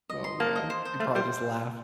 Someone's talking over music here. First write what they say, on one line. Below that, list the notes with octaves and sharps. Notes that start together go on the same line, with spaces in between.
Oh, man. He'd probably just laugh.
D#5
C6
A#3 A5
D#5
C5
C5
A3 F5
G3 C5